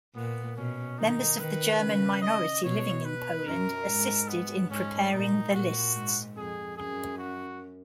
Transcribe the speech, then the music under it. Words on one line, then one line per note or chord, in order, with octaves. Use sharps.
Members of the German minority living in Poland assisted in preparing the lists.
A#2 B3
B2 C#4
D#3 D#4
D#3 B4
C#3
D#5
B2 C#5
B4
F#2 A#4
G#2
B3
G#2 C#4
A#2 D#4
A#2 F#4
G#2
F2 G#4
F#2 G#4
F#4